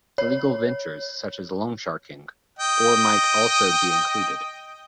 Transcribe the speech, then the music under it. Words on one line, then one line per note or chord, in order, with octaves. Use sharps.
Illegal ventures such as loansharking, or might also be included.
C#5
D#5 G5